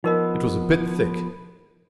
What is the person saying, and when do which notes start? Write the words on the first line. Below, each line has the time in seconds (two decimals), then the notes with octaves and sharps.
It was a bit thick.'
0.04 F3 B3 D#4 A#4 D#5